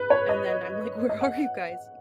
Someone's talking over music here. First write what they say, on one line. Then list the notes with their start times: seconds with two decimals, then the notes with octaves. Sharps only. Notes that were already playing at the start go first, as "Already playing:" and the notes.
and then I'm like, "Where are you guys?"
Already playing: B4
0.10 C#5
0.29 D#5
1.09 D#5
1.21 F#5